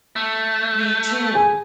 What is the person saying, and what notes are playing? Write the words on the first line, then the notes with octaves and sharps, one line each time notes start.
Me too.
A3
G#4 G#5